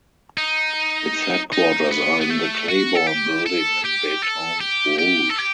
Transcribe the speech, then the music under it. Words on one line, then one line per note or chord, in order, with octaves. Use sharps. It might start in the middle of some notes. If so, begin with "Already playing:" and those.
Its headquarters are in the Claiborne Building in Baton Rouge.
D#4
D#4
B3
B3
A3
F#4
A4
G4
A4
G4
A4
G4
G4
A4
G4